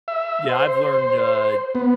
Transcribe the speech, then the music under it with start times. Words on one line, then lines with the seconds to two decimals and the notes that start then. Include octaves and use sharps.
Yeah, I've learned, uh,
0.08 E5
0.49 C5
1.75 B3